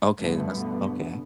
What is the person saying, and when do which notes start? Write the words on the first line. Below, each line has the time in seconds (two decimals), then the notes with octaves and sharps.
Okay, then that's okay.
0.20 G2 B2 D3 A3 B3